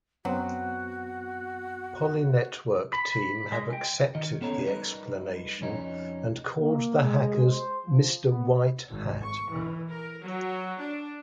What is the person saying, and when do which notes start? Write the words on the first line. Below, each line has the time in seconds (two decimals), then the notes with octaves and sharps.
Poly Network team have accepted the explanation and called the hackers "Mr White Hat".
0.25 F#2 F#3 B3 C4 F#4
2.93 B5
3.52 G#3
3.73 G5
4.15 D#3 D#5
4.41 B3 C#4 A4 C#5 D#5 A#5
4.65 G3 D#4 A#4 B4 D#5
5.61 F2 C#4 D#4
6.60 A#3
7.02 G#3
7.47 C5
7.85 F3
8.25 B3
8.90 G#1
9.23 C#6
9.52 E3
9.89 A#4
10.22 F#3
10.80 D4